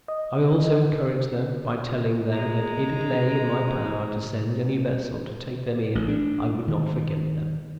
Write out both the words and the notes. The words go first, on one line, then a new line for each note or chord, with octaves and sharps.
I also encouraged them, by telling them that if it lay in my power to send any vessel to take them in, I would not forget them.
D#5
G#3 A#5
A1
D4
D#3